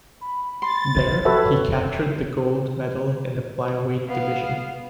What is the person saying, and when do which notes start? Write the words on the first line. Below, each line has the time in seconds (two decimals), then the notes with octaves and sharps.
There he captured the gold medal in the flyweight division.
0.21 B5
0.62 C6 A6
1.25 F#4 G4 A4 B4 C#5 E5
4.07 B3 F5